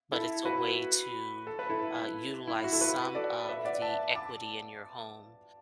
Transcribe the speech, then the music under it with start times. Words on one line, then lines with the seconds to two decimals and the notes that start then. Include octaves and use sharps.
but it's a way to, uh, utilize some of the equity in your home
0.12 E4 A4
0.45 F#4 B4
1.47 A4
1.59 B4
1.70 E4 A4
2.47 E4
2.64 F#4
2.72 E4 A4
2.81 F#4 B4
3.15 A4 D5
3.49 B4 E5
3.65 D5 F#5
3.82 E5 A5
4.15 A5 D6